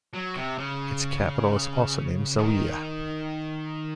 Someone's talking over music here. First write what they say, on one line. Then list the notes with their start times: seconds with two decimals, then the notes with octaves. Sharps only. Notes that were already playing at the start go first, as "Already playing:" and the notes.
Its capital is also named Zawiya.
0.13 F#3
0.36 C3
0.58 C#3
2.38 D#3